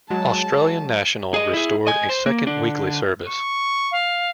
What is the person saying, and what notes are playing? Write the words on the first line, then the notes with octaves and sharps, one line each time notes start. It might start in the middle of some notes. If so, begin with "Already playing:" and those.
Australian National restored a second weekly service.
F#3 G#3 A5
G#4 D#5
E4 G#4
D#5 G#5
C5
A#3
D3 D4
C#6
F5